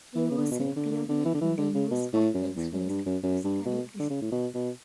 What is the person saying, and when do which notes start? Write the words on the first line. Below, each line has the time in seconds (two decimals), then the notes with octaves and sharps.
She was a pioneer in the use of X-rays to study crystals.
0.15 E3
0.32 C#3
0.38 D3
0.51 B2
0.60 C#3
0.76 D3
0.92 D3
1.09 D3
1.25 E3
1.34 D3
1.41 E3
1.58 D3
1.74 C#3
1.91 B2
2.14 A2
2.35 F#2
2.56 E2
2.73 F#2
2.90 G2
3.06 F#2
3.23 F#2
3.44 G2
3.66 B2
4.00 D3
4.10 C#3
4.22 A2
4.32 B2
4.55 B2